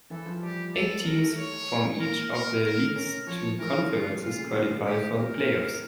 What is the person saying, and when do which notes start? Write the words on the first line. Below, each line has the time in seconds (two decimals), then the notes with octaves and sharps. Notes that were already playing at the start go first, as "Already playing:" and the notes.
Eight teams from each of the league's two conferences qualify for the playoffs.
0.11 E3 A4
0.26 F3
0.42 G3 G4
0.74 A4
1.06 A#4
1.21 A3
1.38 C#5
2.00 A#3 A#4
2.32 A#4
2.65 A#4
2.96 C#4 A#4
3.27 F3 C#5
3.59 E3 A#4
3.81 D3
3.90 C#3 F4
4.22 A#2 F4
4.38 C#3
4.54 D3 F4
4.64 C#3
4.86 A2 G4
5.17 A#2 A#4